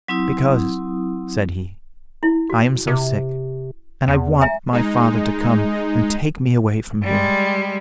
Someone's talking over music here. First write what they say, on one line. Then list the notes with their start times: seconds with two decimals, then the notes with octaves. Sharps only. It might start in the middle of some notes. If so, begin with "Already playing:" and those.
"Because," said he, "I am so sick, and I want my father to come and take me away from here."
0.08 F#3 C4 E4 D#6
2.23 E4
2.50 F#4
2.87 C3
4.08 E2
4.41 E5 G#5 A#5
4.73 G#3 D#4
7.03 G3 G#3